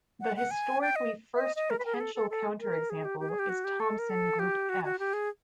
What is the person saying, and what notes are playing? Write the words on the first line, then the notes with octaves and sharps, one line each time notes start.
The historically first potential counterexample is Thompson group "F".
F#5
F#5
G#5
G5
D#5
E5
D#5
D#5
A#4
B4
A#4
G#4
A4
A4
A4
A#4
G#4
G4
G4
G#4
G4
F#4
G4
A4
A#4
A4
G4
F#4
F#4
G4
G#4